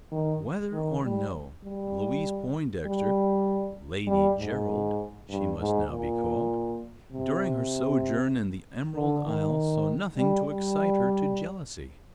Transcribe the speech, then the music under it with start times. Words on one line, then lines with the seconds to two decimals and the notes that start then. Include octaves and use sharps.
Whether or no, Louise Poindexter--Lady Gerald she must now be called-- during her sojourn in the Emerald Isle saw nothing to excite her to jealousy.
0.12 D#3
0.72 D#3
1.03 G3
1.64 G3
2.86 G3
4.08 G3
4.38 G#2
5.30 G2
5.60 G#2
5.90 A#2
7.12 C3
8.95 D3
9.26 D#3
10.17 G3
10.48 G3